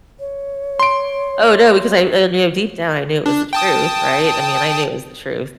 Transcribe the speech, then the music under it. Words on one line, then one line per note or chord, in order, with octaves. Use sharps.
Oh, no, because I I knew deep down, I knew it was the truth, right? I mean, I knew it was the truth.
C#5
C6 D7
D4
G5 A5 D#6